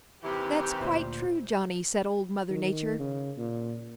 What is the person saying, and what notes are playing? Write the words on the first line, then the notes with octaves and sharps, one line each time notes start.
"That's quite true, Johnny," said Old Mother Nature.
D#2 C3 E3 G4
D2 A#2 C5
D#3
C#3
A#2